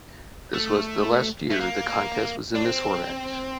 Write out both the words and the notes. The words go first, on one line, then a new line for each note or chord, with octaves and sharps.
This was the last year the contest was in this format.
A3
A3
A#3
D4
C4